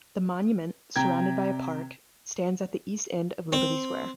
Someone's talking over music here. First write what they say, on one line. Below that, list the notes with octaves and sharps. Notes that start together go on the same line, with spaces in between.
The monument, surrounded by a park, stands at the east end of Liberty Square.
C3 G5 A#5 G#6
C4